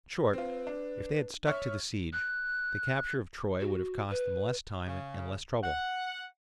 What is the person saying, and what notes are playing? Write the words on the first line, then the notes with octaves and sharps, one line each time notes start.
In short, if they had stuck to the siege, the capture of Troy would have cost them less time and less trouble.
C4 F4 B4
D4
C#5 E5 C#6 F6
F#6
F#4
B4
C#3
F#5